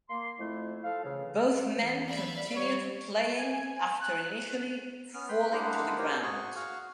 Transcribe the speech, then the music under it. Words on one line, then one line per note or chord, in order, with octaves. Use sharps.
Both men continued playing after initially falling to the ground.
A#3 C6
F2 A3 E4
F3 A4 F5
C#3 E3
E2
D5 E5 F5 B5
G3 C#5
G#5
F#6
B3 C#4 F6
B4 G5 B5 C6
G#3 A#3 D4 E4 C5 F#5
F#4 G4 A#4 C5 C#5 G5
F#4 G#4 G#5 C#6
F#4 F5 C#6